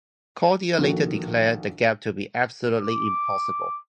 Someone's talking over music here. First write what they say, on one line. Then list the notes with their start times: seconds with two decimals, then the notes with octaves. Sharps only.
Cordier later declared the gap to be "absolutely impossible".
0.79 A#1 D#3 F#4 A4
2.81 D6